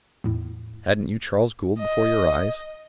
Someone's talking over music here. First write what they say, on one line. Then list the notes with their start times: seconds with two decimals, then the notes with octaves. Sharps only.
Hadn't you Charles Gould before your eyes?
0.24 E2 A2
1.79 D#5